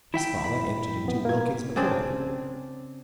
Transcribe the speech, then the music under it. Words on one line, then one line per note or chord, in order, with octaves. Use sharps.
His father entered into Wilkins Micawber.
E4 E5 G5
B5
F2 B3
A#3 G#6
C#3 C4 D4 G#4